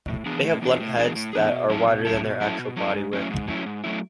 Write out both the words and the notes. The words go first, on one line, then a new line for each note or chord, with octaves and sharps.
They have blunt heads that are wider than their actual body width.
A2
E3 B3 D4 G#4
A2
E3 B3 D4 G#4
A2
E3 B3 D4 G#4
A2
E3 B3 D4 G#4
B2
F#3 C#4 E4 A4
B2
F#3 C#4 E4 A4
B2
F#3 C#4 E4 A4
B2
F#3 C#4 E4 A4
G#2
F#3 A3 C#4 E4
G#2
F#3 A3 C#4 E4
G#2
F#3 A3 C#4 E4